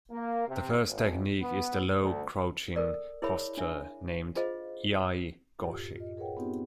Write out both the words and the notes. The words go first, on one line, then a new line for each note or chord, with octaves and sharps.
The first technique is the low crouching posture named "iai-goshi".
A#3
C3
G#1
B3
D2
A4 A#4 D5
E4 G#4 A#4 C#5 E5 B5
D4 E5
F4 G#4 C5 D#5 F5
F#2 A2 F4 G4
F4 D#5
G#4 A#4 B4 C#5 F#5 G5
B3 C4 D#4 F4 G4